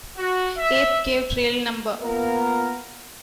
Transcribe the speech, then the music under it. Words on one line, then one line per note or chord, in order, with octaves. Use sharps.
Ape Cave Trail No.
F#4
E5
A#3 B3 F4 A#4